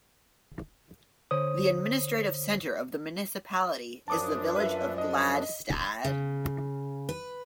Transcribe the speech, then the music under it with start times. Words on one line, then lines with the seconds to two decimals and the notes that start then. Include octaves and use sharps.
The administrative centre of the municipality is the village of Gladstad.
1.31 D3 C5 C#5 D#6
4.08 F#2 F3 D4 A5 D6 D#6
4.56 B4 E5
4.98 D#5
6.04 C#3
7.09 B4